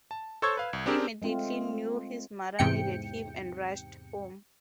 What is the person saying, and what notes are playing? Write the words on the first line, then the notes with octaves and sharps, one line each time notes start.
He immediately knew his mother needed him and rushed home.
A5
A4 C5 C#5 C#6 E6 G#6
B4 F5
C2
C4 D4 G4 G#4 A#4
G#3 A3 C4 F4
E2 G#2 C3 G5 C#7